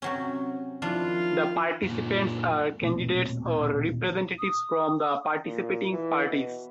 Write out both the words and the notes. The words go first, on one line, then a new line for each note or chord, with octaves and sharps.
The participants are candidates or representatives from the participating parties.
C3 F#3 C#4
D#3 F3 D4 E4 F4
F#2 A#2
D#1 B2 A3 C4
D#6
A#2
E3
B2